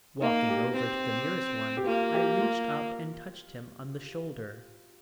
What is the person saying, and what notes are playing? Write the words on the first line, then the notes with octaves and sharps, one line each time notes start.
Walking over to the nearest one, I reached up and touched him on the shoulder.
A#3 D#4
G4
C4
G4
A#3 F4
G4
F4